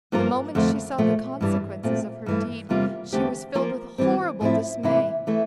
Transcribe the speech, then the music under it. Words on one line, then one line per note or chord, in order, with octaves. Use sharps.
The moment she saw the consequences of her deed she was filled with horrible dismay.
G2 F3 A#3 F4 A#4
F2 D3 F3 A3
A#2 F3 A3
G2 E3 G3 D4
A#2 A3 C4
G2 E3 A3
E2 C3 G3 A#3 F4
E2 D3 A3 C4 G4
F3 A#3 F4 A#4
E3 G3 C4
A2 F3 C4 E4
C3 E3 A#3 E4
E3 A3